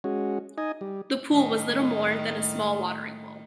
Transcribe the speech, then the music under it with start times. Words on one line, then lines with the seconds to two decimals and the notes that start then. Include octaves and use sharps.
The pool was little more than a small watering hole.
0.04 G#3 C#4 F#4
0.58 D#4 D#5 G#5
0.81 G3
1.31 A2 D#3 G3